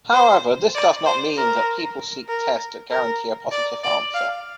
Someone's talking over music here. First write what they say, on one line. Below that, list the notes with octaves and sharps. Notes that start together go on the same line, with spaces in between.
However, this does not mean that people seek tests that guarantee a positive answer.
C5
D5
C5
A#4
A#4
A#4
D5
D5
F5